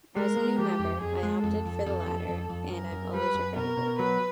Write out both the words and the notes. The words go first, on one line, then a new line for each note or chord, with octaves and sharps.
As a new member, I opted for the latter and I've always regretted it.
G#3 A#4
G#3
F3 G4
F2
F2 G#4
G#3
F2 A4
F2
F2
F2
F2
F2
F#2 A#4
F#2
G3 B4
F#2
B2 A#4
B2
F#3 B4